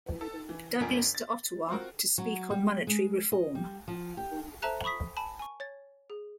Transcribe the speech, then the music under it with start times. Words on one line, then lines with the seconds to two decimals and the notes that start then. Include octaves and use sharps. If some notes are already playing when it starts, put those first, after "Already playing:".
Douglas to Ottawa to speak on monetary reform.
0.21 A4
0.49 E3
0.80 G1 C#2 F3 A#4 G#5 B6
1.15 A6
1.69 C4 F4 F#4 A#4
2.18 F#3
2.50 G3
2.87 G#3
3.32 D#5
3.55 G3
3.88 F3
4.17 G4
4.62 A4 C5 E5 A5 A#5 F#6
4.84 B5 C#6 D#6 B6
5.17 G#5 A5 B5
5.39 G#5 C#6
5.60 C#5 A6
6.10 G#4